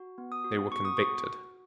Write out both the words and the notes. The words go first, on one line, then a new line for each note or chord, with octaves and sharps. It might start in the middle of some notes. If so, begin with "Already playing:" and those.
They were convicted.
Already playing: F#4
B3
D#6
F#4
B3 C#6
D#6
F#4 C#6